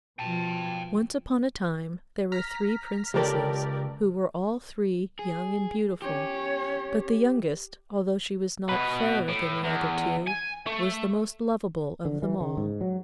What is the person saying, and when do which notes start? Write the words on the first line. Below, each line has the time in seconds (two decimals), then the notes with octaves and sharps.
Once upon a time there were three Princesses who were all three young and beautiful; but the youngest, although she was not fairer than the other two, was the most loveable of them all.
0.19 B2 F3 G5 A5
2.32 A#5 F6 B6
3.14 C#2 G4 A4 A#4 D5
5.19 G#4
6.02 C#4 G4 C#5
8.69 B2 B4
9.28 A2
9.64 E2
10.28 G#5
10.67 A3
12.05 D3
12.22 E3
12.40 C#3
12.57 G#2
12.81 F#3